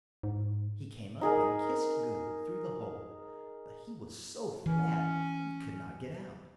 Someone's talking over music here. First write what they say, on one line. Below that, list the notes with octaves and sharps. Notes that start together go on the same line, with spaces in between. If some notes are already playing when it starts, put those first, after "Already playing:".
He came up and kissed Goody through the hole; but he was so fat that he could not get out.
G#2
D#4 G#4 A#4
E3 C#4